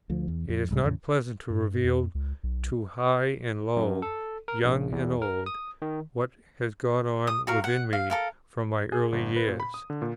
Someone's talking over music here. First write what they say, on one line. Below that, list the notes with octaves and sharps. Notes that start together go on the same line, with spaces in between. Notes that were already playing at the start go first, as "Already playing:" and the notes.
It is not pleasant to reveal to high and low, young and old, what has gone on within me from my early years.
D2 F3
E2
F2
C2 G#2 G3
E2 A2 C#3
G2
F2
C#2
B1
F#2
A4
A#4
A#1
E2
A#4
D#6
D#3
D#6
F#4 A#4 F5
F#5
F5
A4 A#4 F5
G#4
G1
B4
A#2
B5
D#6
D3
A#2